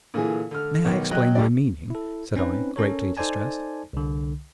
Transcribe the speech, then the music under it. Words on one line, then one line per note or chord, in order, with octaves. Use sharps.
"May I explain my meaning?" said I, greatly distressed.
A#2 D3 E3 G#4
D3 F6
B1 D#3
F#3 D#5 G5 F#6
D2 D3 G3 D5
E4 A4
C4 C#4 D#4 B4
C#4 A4 A#4 C#5
D#4 A4 C5 D5 G#5 A5
C2 D3